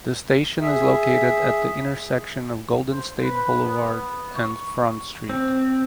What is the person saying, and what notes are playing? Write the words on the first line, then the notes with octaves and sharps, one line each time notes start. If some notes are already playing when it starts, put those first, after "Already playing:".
The station is located at the intersection of Golden State Boulevard and Front Street.
G#4 E5
C5
B4
B3
C#6
C4